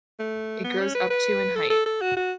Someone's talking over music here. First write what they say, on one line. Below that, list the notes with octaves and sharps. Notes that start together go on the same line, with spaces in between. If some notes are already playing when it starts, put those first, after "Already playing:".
It grows up to in height.
A3
B3
C#4
B4
B4
A4
A4
A4
F#4
F#4